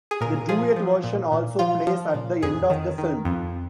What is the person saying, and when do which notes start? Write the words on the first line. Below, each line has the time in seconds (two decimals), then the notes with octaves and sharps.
The duet version also plays at the end of the film.
0.11 G#4
0.21 A#2 A#4
0.49 F3 G#4
0.76 F3
1.04 A#2
1.32 A#2
1.59 F3 F4
1.87 F3
2.14 A#2
2.43 F2 G#4
2.70 D#3
2.98 D#3
3.25 F2